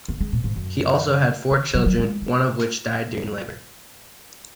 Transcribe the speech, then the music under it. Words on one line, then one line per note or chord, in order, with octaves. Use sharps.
He also had four children, one of which died during labour.
A#3
G#3
A#2
G#2
F#2
D#3
F#3
F#3
G#3
A#3